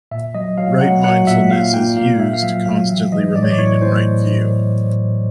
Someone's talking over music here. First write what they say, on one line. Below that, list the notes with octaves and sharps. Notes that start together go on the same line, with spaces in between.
Right mindfulness is used to constantly remain in right view.
A#2 E5
F#3 D#5
F#3 F5
F#3 F#5
F#3 F#5
A#2 E5
A#2 F5
A#2 G5
A#2 F5
A#2 E5
F5
F#3 E5
F#3 F5
E3 E5
E3 D#5
A2 D5
C#5
D5
A2 C#5
A2 C5